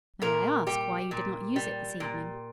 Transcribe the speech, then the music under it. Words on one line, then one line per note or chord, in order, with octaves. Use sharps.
"May I ask why you did not use it this evening?"
A#2 A#4
G3 G4
A#2
G3
A#2